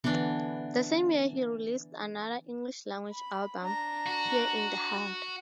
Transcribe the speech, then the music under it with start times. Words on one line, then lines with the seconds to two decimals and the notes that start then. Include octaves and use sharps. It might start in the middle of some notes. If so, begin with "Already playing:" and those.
The same year he released another English-language album, "Here in the heart".
0.04 D3 E3 B3 D4
3.11 B5
3.61 D4 A#5
4.06 F#4